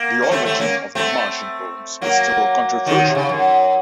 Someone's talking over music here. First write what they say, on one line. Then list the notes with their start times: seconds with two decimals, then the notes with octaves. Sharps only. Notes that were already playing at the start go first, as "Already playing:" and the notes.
The origin of the Martian moons is still controversial.
Already playing: A#3
0.22 C#4
0.31 A3 C4
0.45 A3 C4
0.59 A#3 C#4
0.95 A3 C4
2.02 F#3 A#3
2.86 D#3 F#3
3.06 C3
3.15 C#3
3.29 F#2